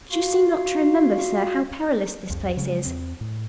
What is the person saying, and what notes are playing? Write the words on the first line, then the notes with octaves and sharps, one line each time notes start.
But you seem not to remember, sir, how perilous this place is.'
F4 F#4 F5
C2 F2
C#3 F#3 G#3
E2 C4
A2